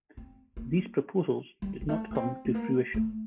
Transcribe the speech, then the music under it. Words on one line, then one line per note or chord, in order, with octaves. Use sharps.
These proposals did not come to fruition.
C4
A#3
G3
G3
A3
A#3
C4
A3
A#3
A3